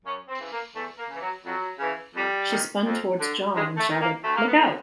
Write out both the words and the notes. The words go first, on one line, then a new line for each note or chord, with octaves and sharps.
She spun towards John and shouted, "Look Out!"
F#2 C#4
C4
C#3 E3
A#3
E2 A3
A#3
C#3 E3
F#3
F2 F#3
C#3 E3
F2 G3
C3 D#3
F2
D3
G2 G#3
A3
D#3
A#3
D2 A3
A#3
B3
D3